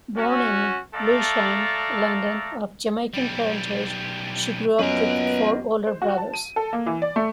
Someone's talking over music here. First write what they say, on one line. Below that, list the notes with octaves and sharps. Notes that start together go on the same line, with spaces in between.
Born in Lewisham, London, of Jamaican parentage, she grew up with four older brothers.
C#4 F#4
A3 A4 D5 F5 A#5
B1 G3
F#2 A#2 B3 B4 D#5 A#5
C5
F#4
A5
D#7
A4
A#3
E3
D5
A3